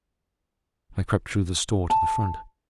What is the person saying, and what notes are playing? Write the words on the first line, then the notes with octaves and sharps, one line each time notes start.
I crept through the store to the front.
A5